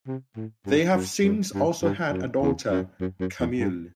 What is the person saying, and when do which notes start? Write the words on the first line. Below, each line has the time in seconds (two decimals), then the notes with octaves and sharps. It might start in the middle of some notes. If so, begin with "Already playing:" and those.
They have since also had a daughter, Camile.
0.07 C3
0.37 A2
0.66 G2
0.94 F#2
1.24 F#2
1.54 G2
1.83 G2
2.12 F#2
2.42 E2
2.72 F#2
3.01 F#2
3.20 F#2
3.40 E2
3.59 G2